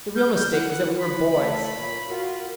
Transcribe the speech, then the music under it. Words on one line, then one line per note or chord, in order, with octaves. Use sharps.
The real mistake was that we were boys.
F6 G6
E4 F#5
B5
A3 C#5
A#2
F4 F#4 A#4